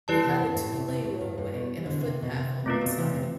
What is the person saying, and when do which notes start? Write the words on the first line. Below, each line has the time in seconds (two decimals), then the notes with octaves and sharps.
It had a two-lane roadway and a footpath on one side.
0.08 E3 G3 E4 G4 B4 D5 A5
0.24 C3 E3
0.41 G2
0.53 G2
0.56 A2
0.72 C3
0.88 C3
1.04 A2
1.20 G2
1.38 G2
1.54 B2
1.77 E3
1.86 B2 D3
2.01 C3
2.22 B2
2.33 C3
2.66 B2 A3 C4 F4 B4
2.81 B2
2.98 C3 E3
3.14 C3